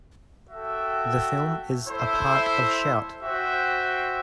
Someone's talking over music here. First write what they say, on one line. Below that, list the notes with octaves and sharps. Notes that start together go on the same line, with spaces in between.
The film is a part of Shout!
F#4 A4 E5 G5
E4 A4 C5 E5
F#4 C5 E5 G5